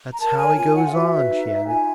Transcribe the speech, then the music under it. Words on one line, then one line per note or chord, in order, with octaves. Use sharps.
"That's how he goes on," she added.
A#5
A#4 A5
C#5 G#5
F4 G#5
F4 F#5
F5
F#4 E5
B4
D#4
D#4
F4 G#5